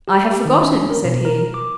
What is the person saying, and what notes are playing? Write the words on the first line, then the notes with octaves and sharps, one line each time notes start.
"I have forgotten," said he.
G4
G4
D#3
C#4
D4
A#4
B2
A#4
D6